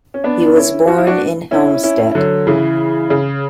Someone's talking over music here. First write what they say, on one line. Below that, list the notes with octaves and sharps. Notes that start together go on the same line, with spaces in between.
He was born in Helmstedt.
C#4
B3 D4
C#4 E4
F#4
E4
D4 F#4
C#4 E4
C#4 E4
D3 F#3
C#3 E3
C#3